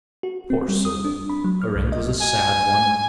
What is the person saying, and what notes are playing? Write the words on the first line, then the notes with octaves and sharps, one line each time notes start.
Poor soul! her end was a sad one.
F#4
C4
G3
D#6
D4
B5
F#3
F6
C2
D#5
G#5